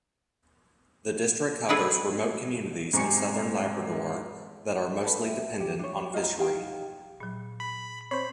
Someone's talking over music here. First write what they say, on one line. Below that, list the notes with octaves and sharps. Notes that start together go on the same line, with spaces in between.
The district covers remote communities in Southern Labrador that are mostly dependent on fishery.
G#3 C4 E4 G#4 A4 B4
G#2 C3 G#5 C#6 C#7
A4 B4
E5
G4
D4 C#5
F4 D#5 E5 A#5
D#4 G4 F5 G5
A#2 F#3
B5
C4 C5 C#5 B5